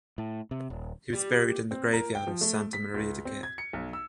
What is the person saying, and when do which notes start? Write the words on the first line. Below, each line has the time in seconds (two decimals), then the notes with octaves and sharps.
He was buried in the graveyard of Santa Maria de Guess.
0.18 A2
0.51 C3
0.70 D#1
1.13 G3
1.71 C4
1.93 A#4
2.15 G5
2.27 F3
2.41 A3
2.73 B6
2.94 C#2
3.25 C4
3.43 G#6
3.58 C#7
3.73 B1
3.93 E6